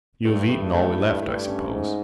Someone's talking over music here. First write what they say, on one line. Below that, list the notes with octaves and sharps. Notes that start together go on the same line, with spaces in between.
You have eaten all we left, I suppose.
G2 A3
A3
A3
E4
G2 A3
C#4
G#2 A3